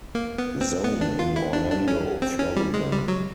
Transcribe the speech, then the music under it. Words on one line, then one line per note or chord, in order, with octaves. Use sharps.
Zone in Orlando, Florida.
A#3
B3
C4
B3
D4
F4
E4
D4
D4
C#4
C4
C#4
G3
G#3
G3
F#3